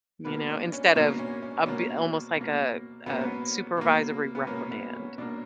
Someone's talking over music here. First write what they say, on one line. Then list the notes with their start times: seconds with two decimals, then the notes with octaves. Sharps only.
You know? Instead of a b almost like a a supervisory reprimand.
0.25 B2 A#3 B4
0.49 D4
0.72 C#4
0.86 D4
0.95 B2 A#3 C#4
1.19 C#4
1.42 C#4
1.61 D4
1.66 B2 A#3 C#4
2.37 B2 A#3
3.06 B2 B3
3.10 A#3 C#4
3.21 B3
3.77 B2 A#3
4.35 B3
4.47 B2 A#3 C#4
4.71 B3
4.95 C#4
5.18 B2 A#3 D4